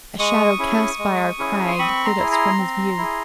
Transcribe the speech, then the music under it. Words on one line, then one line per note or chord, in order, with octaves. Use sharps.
A shadow cast by our crag hid us from his view.
G#3 C#6 D#6
C#4 E4 G#4
G#3
C#4 E4 G#4
C6
C4 B5 C#6
A#5 C6
E4 G#4
A#5 C6
C4
E4 G#4